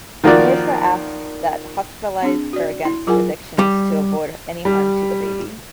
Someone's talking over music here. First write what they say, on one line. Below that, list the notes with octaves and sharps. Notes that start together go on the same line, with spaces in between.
Marisa asks that hospitalize her against addictions to avoid any harm to the baby.
D#3 F3 A#3 F#4 A#4 D5
C4 D4 G#4
F#4 D5
E4
F#3 F4 G#4 A#4 F#5 G#5
G3
G3